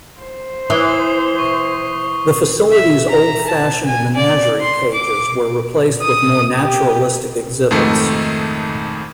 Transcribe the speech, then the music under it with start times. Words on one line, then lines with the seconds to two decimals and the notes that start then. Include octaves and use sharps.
The facility's old-fashioned menagerie cages were replaced with more naturalistic exhibits.
0.20 C5
0.70 E3 D#6 C7 G7
1.39 C#6
2.70 E5
3.09 A#5
3.47 A5
3.86 G#5
4.16 D5
4.61 C6
4.93 D6
6.03 D#6
6.60 G4
7.71 F2 G#2 D#3 A3